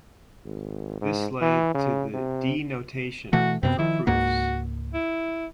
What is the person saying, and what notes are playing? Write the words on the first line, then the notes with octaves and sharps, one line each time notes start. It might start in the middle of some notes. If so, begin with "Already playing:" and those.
This led to the "D-notation" for proofs.
G#1
G#2
E3
C#3
C3
B2 E3 A3 F#4
F#2 C3 B3 C4
D#3 F3 E4
C#2 G#2 A#3 F#4
E4